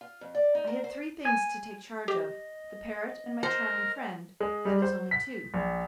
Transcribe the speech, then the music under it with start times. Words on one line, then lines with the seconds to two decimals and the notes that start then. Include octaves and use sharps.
I had three things to take charge of. The parrot and my charming friend; that is only two.
0.01 F4
0.21 F2
0.35 D5
0.55 D#4
0.67 A#4
0.84 C5
1.25 G#5
2.08 G4 D#5
3.43 A#4 C5
4.40 G#3
4.65 G3
4.82 C5
5.11 B6
5.54 A#1